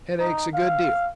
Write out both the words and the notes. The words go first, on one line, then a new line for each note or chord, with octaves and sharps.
Head aches a good deal.
D#4
F5